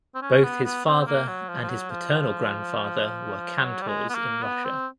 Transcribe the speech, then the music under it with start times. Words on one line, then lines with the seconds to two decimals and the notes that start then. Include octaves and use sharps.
Both his father and his paternal grandfather were cantors in Russia.
0.15 C4
0.22 C#4
0.43 B3
0.64 B3
0.85 C4
1.07 A#3
1.28 F#3
1.49 F3
1.62 F3
1.69 F#3
1.90 F3
3.60 F#3
3.82 G3
3.88 G#3
4.09 B3
4.15 A#3
4.43 B3
4.64 C4